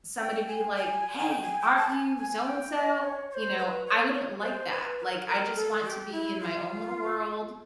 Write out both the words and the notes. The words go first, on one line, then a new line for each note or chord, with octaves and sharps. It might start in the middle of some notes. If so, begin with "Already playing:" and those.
somebody be like, "Hey, aren't you so-and-so?" you know, I wouldn't like that, like, I just want to be in my own little world,
G5
G#5
G#5
G#5
G5
G#5
G5
A5
A5
G#5
G#5
G5
D#5
C#5
C#5
C5
B4
C#5
C#5
C5
B4
B4
A#4
A#4
A4
G4
E4
F4